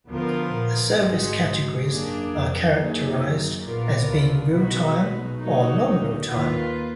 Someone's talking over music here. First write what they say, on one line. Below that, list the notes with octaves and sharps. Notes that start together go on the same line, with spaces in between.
The service categories are characterised as being real-time or non-real-time.
D2 D3 F3 B3 F4 A#4
A#1 A#2
G#1 G#2 G#3 D#4 F#4
F#2 A#3 D4 G#4
F2
F#2 F#3 A#3 D#4 G#4
F#2
A#1 A#2 B3 F4 A#4 D5
D2 D3
B1 B2 G#3 D#4 F#4 B4
F#3 A#3 D#4 F#4
D2 D3
D#2 D#3 A#3 F4 B4